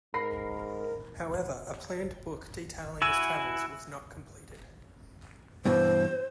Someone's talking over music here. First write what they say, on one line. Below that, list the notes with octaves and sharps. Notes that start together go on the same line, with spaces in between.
However, a planned book detailing his travels was not completed.
G#2 A#4 B5 A#6 C7
E4 F#4 G#5 E6
G2 B2 E3 C5